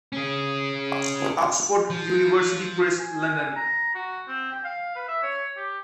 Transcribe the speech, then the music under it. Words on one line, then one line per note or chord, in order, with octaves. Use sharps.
Oxford University Press, London.
C#4 G#4
F3
G#5
A#5
F#4
C4
G5
F5
B4
E5
C#5
G4